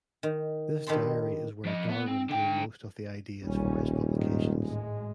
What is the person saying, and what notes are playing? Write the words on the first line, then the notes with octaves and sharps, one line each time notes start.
This diary is where Darwin drew most of the ideas for his publications.
D#3
G2 D#3 G4 A4 B5 C6
F3 D#5
B3
C4
D3 G5
D#1 B1 G3 C#4
G#2 D#3 G#3
G#1 A2 G#3